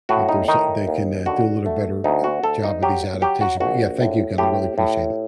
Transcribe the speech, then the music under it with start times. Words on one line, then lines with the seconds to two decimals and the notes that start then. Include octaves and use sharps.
if there's, uh they can, uh, do a little better, uh, job of these adaptation but yeah, thank you again, I really appreciate it.
0.09 A2 F#4
0.29 D#4
0.48 D#3 D#4
0.87 D#2
1.26 D3 F#4
1.66 A3
2.04 D2 D#4
2.24 F#4
2.43 D2 A4
2.64 D#4
2.82 F#3 G4
3.21 F#3 G4
3.41 F#4
3.60 A#1 F#4
4.00 A2
4.38 A2 G4
4.78 A2